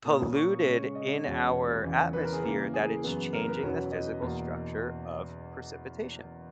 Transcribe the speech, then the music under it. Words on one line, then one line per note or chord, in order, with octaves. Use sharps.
polluted in our atmosphere that it's changing the physical structure of precipitation
A#2 A#3 C#4 D#6
C#6
C#3 G#3 C#4
D#5
E2 B2 G#3 C#4 C#5
E2 C#3 E3
B4
A#4
G#4
C#3 E3 A#3 A#4
G#4
F#2 E3 B3
A#4
B4
E2 B2 F#3 C#4
D#5
E2 B2 A#3